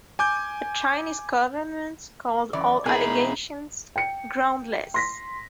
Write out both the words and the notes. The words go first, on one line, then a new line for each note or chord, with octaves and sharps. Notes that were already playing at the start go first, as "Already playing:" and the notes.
The Chinese government called all allegations "groundless".
G#5 D6 G6
F#2 E3 D5
B2 B3 D#4 E4 G#4 A#4 G#5 B5
G5 C#7
C6 A#6 B6